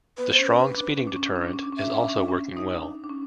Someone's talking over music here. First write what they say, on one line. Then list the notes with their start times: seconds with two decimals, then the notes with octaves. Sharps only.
The strong speeding deterrent is also working well.
0.18 B3 B4
0.32 C5
0.39 C#4
0.46 B4
0.58 D4
0.78 D4
0.98 C#4
1.07 D4
1.16 C#4
1.26 D4
1.36 C#4
1.45 D4
1.53 C#4
1.63 D4
1.72 C#4
1.77 D4 E5
1.91 C#4
2.00 D4
2.09 C#4
2.19 D4
2.28 C#4
2.57 D#4
2.83 D4
3.04 D4
3.09 C#4